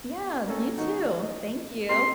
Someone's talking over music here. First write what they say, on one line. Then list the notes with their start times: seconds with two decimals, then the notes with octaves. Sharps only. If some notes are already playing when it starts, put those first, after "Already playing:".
Yeah, you too, thank you,
0.48 A#3 C#4 A4
0.78 D#3 D#4 F#4
1.22 D#5
1.89 C4 G4 A#4 C6